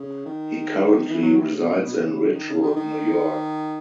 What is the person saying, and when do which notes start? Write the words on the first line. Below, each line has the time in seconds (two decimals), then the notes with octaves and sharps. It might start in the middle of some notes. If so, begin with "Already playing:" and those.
He currently resides in Ridgewood, New York.
Already playing: C#3
0.26 D#3
1.10 E3
1.22 F#3
1.37 E3
1.51 C#3
1.61 B2
1.72 A2
1.82 B2
1.93 C#3
2.35 D#3
2.50 C#3
2.63 D#3
2.76 D#3